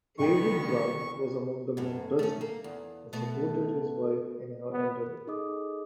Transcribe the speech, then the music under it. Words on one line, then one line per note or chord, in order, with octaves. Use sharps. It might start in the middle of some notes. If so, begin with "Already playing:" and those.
Heywood Broun was among the men present, and supported his wife in her endeavors.
C2 D3 D#3 B3 G5 C#6
F#2 A2
A3 C#4
A#3
E2
B2 A3
B3
D#4 G#4 A4 D#5 D6 D#6